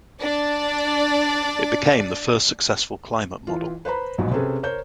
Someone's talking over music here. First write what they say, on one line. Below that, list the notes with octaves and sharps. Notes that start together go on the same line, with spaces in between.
It became the first successful climate model.
D4 D5
E3 F4
B4 C5 A#5 B5
A#1 G#2 B2 F3 F#3
C3 C4 C#4 G#4 A4 B4
A#4 C5 C#5 G6